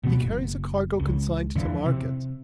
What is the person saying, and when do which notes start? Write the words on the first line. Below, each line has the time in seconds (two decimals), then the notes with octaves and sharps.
He carries a cargo consigned to market.
0.03 D1 B2 E3 B3
0.21 F#1
1.00 C#2
1.55 E2 D3 E3 F3
1.86 C3